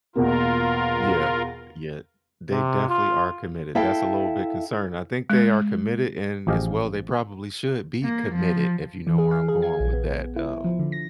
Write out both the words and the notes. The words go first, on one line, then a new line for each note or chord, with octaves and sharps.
Yeah, yeah, they definitely are committed, that's a little bit concerning. I think they are committed, and as well, they probably should be committed if you know where I'm going with that, um,
E2 B2 A#3 F4 A#4
C3
F4
E4 A4 E5 F5 G5
G#3
A1 F3 G4 G#4 D#5 F5
A#3
F3
E3
G#4
F5
G#4
G#6
A#1
B3
E4
F3
D3
A#6